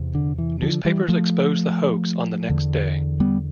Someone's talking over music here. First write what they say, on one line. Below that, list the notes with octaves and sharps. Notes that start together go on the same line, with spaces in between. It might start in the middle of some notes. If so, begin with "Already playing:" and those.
Newspapers exposed the hoax on the next day.
Already playing: E2 C3
D3
E3
D3 F3
E3 G3
F3 A3
E2 D3
G3 B3